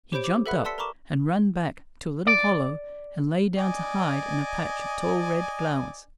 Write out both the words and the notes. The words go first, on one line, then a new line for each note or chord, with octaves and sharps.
He jumped up and ran back to a little hollow and lay down to hide in a patch of tall red flowers.
G4 C5 C#5 B5 G6 D7
D6
A4 B4 E5 F#5 B5 F#6
D5 A5 C6 E6 B6 C#7
A#4 A#5 B5 C#6 D6 E7
D5
D5 D#5 G#5